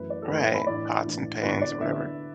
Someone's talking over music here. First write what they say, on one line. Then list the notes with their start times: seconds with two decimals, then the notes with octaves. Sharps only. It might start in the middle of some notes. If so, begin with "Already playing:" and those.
Right, pots and pans or whatever.
Already playing: F#2 E3 A3 E4 B4
0.10 D5
0.22 A4
0.29 F#2 E3 A3 E4 B4
0.41 E5
0.54 B5
0.67 A2 E3 D4 D5
1.05 A2 E3 D4
1.43 D2 D3 B3 E4 B4
1.61 D5
1.81 D2 D3 B3 E4 E5